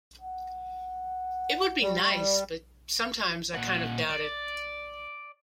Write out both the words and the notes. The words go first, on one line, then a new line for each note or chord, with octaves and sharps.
It would be nice, but sometimes I kind of doubt it.
F#5
G3
A#2 F#5
D5